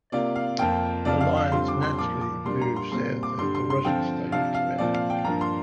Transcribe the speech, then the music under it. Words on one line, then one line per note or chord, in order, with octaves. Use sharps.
The lines naturally moved south as the Russian state expanded.
C3 A#3 F4 D5
F5
F2 F3 A#3 F4 G5
F2 C3 F3 D4 F4 D5
F5
F5
D3 G3 C4 F4 C6
D6
C6
A#2 F3 A#3 D6
D6
A#2 G3 A#3 D4 C6
A#5
C6
A#2 G3 C4 C6
D6
G2 D3 G3 C6
C6
C6
D3 F3 C4 F4 G5
C3 F3 D4 F5
F5
A#2 F3 C4 F4 D5
F5
G5
G2 F3 A#3 D4 F4 A#5
C6